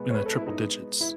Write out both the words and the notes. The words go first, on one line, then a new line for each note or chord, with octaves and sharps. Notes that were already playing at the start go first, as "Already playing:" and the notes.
in the triple digits,
Already playing: B2 G#3 B3
C#5
B4
A4
E4
D#4
E4